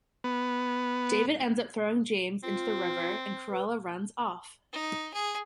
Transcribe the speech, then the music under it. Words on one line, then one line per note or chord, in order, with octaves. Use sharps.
David ends up throwing James into the River and Cruella runs off.
B3
C4 F4
B4
D#4
G#4